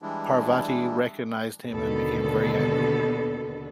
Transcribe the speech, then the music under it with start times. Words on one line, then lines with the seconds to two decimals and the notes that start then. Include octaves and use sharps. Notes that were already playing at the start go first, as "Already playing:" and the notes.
Parvati recognized him and became very angry.
0.02 E3 G3 G#3 D4 E4
1.71 D#2 B2 D3 B3 A4